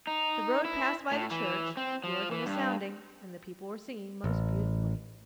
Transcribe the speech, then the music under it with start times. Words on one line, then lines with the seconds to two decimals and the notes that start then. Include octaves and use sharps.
The road passed by the church; the organ was sounding, and the people were singing most beautifully.
0.07 D#4
0.65 E4
1.11 A2
1.31 E3
1.77 C4
2.04 F3
2.32 E3
2.46 G2
4.24 A1